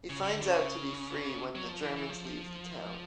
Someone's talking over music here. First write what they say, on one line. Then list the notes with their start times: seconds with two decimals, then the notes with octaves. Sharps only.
He finds out to be free when the Germans leave the town.
0.10 C#3
0.23 C#3
0.28 D3
0.41 D3
0.46 C#3
1.55 F#3
1.68 F3
1.83 E3
1.96 E3
2.10 F3